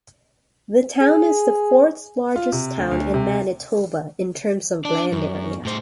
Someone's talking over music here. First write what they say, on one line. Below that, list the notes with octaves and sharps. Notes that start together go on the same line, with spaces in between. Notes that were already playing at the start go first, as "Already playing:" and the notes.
The town is the fourth-largest town in Manitoba in terms of land area.
G#4
F4
C3
D2
D2
C3
D4 D5
F#2
A2 C5